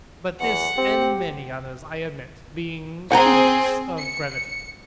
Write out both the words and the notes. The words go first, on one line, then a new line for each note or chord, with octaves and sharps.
But this, and many others, I omit, being studious of brevity.
E2 F#5
C4 G4
C4 G#4 F#5 G5 A#5
C#7